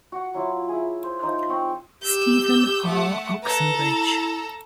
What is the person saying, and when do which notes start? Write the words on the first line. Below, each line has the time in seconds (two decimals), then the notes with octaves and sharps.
Stephen R. Oxenbridge.
0.12 F#4
0.34 F#3 E4 F4
0.69 E4 G#4
1.04 C5
1.22 F3 D#4 C5
1.49 C4 C6 C#6
2.02 G4 E6 G6
2.86 A3 F#5
3.43 A4 B4 A#5
3.78 E4